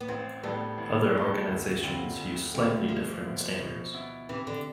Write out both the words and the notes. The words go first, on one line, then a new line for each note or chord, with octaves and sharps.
Other organizations use slightly different standards.
B3
A1 C4
A2 G3 B3 D4 A4
A1
A2 G3 D4 A4
D2
D3 G3 C4 F4
D2
D3 G3 A3 C4 F4
B2 F3
B3 E4
B2
B3 E4
C3 E3
D3